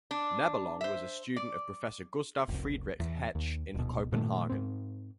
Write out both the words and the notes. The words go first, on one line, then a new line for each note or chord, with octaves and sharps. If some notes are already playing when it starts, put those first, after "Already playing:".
Nebelong was a student of Professor Gustav Friedrich Hetsch in Copenhagen.
D4
C5 E5
D5
F1 C2
E2
D#2
D1 B2
A#2 D#3 F3 A3
G#2 C4